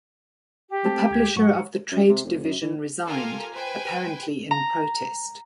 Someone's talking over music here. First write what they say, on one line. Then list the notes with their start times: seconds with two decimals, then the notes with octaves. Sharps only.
The publisher of the trade division resigned, apparently in protest.
0.70 G4
0.85 A3 C4 A5
1.11 D2 A3 G#6
1.36 G#2 F#3 F#5 C#6
1.92 F#2
2.09 C3
2.24 F1
2.44 F#2
2.61 E3
3.08 F4 G4 A4 A#4 G#5 A#5
3.53 B4 C5 G5 G#5
4.51 A#5